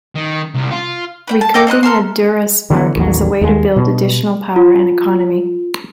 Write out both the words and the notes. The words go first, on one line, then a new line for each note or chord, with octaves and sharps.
Re-curving a Duraspark is a way to build additional power and economy.
D#3
C2
F4
B4 D5 G5
A5
A4 D#5 G5 D6
C4 D#5 B5 F#6
A4 A#4 A5 C6
D3 E3 G3 B3
A1 D#2 F#3
D#2 G#3
B2
F4